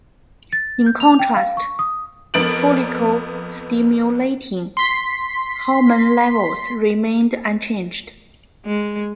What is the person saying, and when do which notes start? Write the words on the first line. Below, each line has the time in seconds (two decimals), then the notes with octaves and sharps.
In contrast, follicle-stimulating hormone levels remained unchanged.
0.53 A6
0.86 G6
1.00 F7
1.19 G5
1.36 F5
1.57 C#6
1.79 D#6
2.34 F2 B3 A#4 A6 D7 F#7
4.77 C6 B6
8.66 G#3